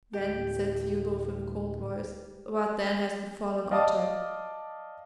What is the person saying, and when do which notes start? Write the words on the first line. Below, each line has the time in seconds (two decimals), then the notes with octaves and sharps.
Then said Thiodolf in a cold voice, "What then hath befallen Otter?"
0.13 D2 A2 G4
3.71 D5 D#5 F5 A5 D6 D#6